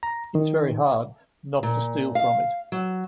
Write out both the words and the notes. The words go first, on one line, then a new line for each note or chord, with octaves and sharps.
It's very hard not to steal from it.
A#5
D#3
A#2
F5
F#3